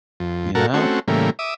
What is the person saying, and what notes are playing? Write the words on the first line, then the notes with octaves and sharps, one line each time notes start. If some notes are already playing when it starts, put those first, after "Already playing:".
you know?
F2
A#2 F#4 A4 A#4
A3 C4 C#4 F#4
A2 C#3 E3 G3 A#3
E5 D6 D#6